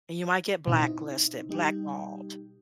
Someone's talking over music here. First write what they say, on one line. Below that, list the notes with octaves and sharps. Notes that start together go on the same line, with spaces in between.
And you might get blacklisted, blackballed.
B2 C4 D#4 E4
G3 D#4 G4